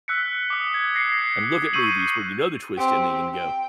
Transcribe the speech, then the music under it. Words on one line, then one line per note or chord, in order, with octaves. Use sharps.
and look at movies where you know the twist ending and go
E6 F#6 B6 C#7
D6 D#6
G#6
A#6 C7 C#7
C#6 E6 G6 C7 D#7 F#7
C4 G4
G5